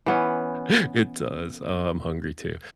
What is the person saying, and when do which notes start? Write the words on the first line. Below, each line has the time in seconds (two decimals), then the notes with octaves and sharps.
It does, oh, I'm hungry too,
0.06 E3 B3 C#4